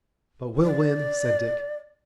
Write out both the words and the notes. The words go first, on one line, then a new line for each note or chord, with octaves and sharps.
"But we'll win!" said Dick.
D5